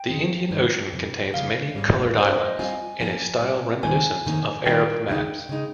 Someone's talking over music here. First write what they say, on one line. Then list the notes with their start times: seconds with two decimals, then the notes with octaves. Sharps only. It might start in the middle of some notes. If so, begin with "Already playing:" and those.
The Indian Ocean contains many colored islands, in a style reminiscent of Arab maps.
Already playing: G5
0.09 F2 D#3 G#3
0.51 G2 D#3 G3
0.92 F2 C3 G3
1.33 F2 C#3 G3 F5
1.75 G#2 G3 C#4
2.16 G3 C4 G4 C5
2.38 D#5
2.59 G3 C4 F4 G#5
3.00 F3 A#3 C#4 G4
3.41 A#2 G3 C#4
3.83 D#2 D#3 G3 C4 G#5
4.25 F2 C3 D#3 A#3 C#4
4.66 D#3 G3 C4 G4 G5
5.08 D#2 C#3 G#3 D#4
5.49 C#3 G#3 D#4